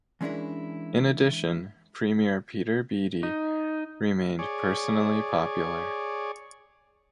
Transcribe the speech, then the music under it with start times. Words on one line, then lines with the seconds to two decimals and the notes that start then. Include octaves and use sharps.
In addition, Premier Peter Beattie remained personally popular.
0.21 E3 G#3 C#4 D4 E4 A#4
3.23 D#4
4.39 G#4 C#5 D5